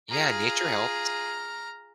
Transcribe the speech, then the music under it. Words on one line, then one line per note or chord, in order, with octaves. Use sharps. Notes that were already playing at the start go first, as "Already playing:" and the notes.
Yeah, nature helps.
F4 G#4 A#5 F6